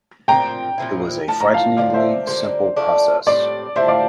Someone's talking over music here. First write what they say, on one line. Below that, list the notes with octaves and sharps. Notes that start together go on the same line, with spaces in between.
It was a frighteningly simple process.
A#2 F3 C4 G5 A#5
A#2 F3 C4 E4
A2 F3 A3 A5
A#5
F5 A5
D3 F3 C4 D5 F5
C5 E5
D3 G3 A#3 C5
F3 A3 D4
A2 G3 C4 D5
D3 G3 D4 C5 E5
D5 F5